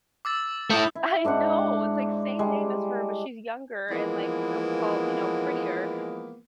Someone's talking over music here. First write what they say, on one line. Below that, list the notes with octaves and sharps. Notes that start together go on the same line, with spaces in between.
I know, it's like, same name as her, but she's younger and, like, so called, you know, prettier
D6 E6 A6
A3 E4 D#6 G6 C#7
E4
G#2 D4 C5 F#5
G3 G#3
E3 F3 G#3 A#3 B3